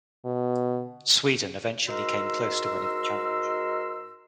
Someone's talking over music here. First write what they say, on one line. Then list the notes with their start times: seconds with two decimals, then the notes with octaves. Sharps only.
Sweden eventually came close to winning the championship.
0.25 B2
1.88 G#2 D#4 F#4 A#4 C6 E6